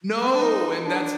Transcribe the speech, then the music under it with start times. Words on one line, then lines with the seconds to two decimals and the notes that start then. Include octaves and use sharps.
No, and that's
0.19 A#3
0.27 C4
0.35 D4
0.42 D#4
0.86 D4